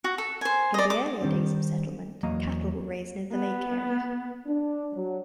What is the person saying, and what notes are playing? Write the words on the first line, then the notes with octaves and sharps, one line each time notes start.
In the earlier days of settlement, cattle were raised near the lake area.
F#4
A4
C5 G#5
D5 D#5
D6
D#3 G3 C4 D4
E2 F#3 A#3 D#5 F5 A#5
B3
D4
F#3